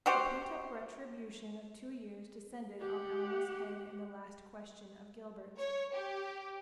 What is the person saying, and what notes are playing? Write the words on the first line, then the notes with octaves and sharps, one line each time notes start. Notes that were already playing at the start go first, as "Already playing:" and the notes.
The pent-up retribution of two years descended on Alma's head in the last question of Gilbert's.
F#4 G4 C5
G4 F#5
C#5
G4